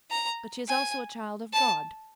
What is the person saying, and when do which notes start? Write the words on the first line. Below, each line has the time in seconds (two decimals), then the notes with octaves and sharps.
But she is also a child of God.
0.11 A#5
0.68 G#5
1.53 A5